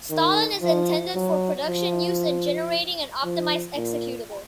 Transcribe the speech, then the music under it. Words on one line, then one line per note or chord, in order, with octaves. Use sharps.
Stalin is intended for production use in generating an optimized executable.
D#3
F3
F#3
F3
F3
A#2